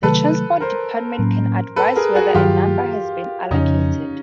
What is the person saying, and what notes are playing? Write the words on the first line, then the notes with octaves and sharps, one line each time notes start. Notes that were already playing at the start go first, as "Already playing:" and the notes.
The Transport Department can advise whether a number has been allocated.
C3 D#3 F#3 A3 A4 B4
A#4 C5
A2 F#3 A#3 C#4
A4 B4
G#4 A#4
F#4 G#4
G2 D#3 F#3 F4 G4
F2 C#3 F3 C#4 D#4